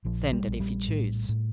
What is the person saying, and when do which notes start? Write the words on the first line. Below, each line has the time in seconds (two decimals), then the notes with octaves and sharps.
Send it, if you choose!
0.05 A#1 F3
0.33 G3
0.47 A#1
0.60 G3
0.88 A2
1.29 A2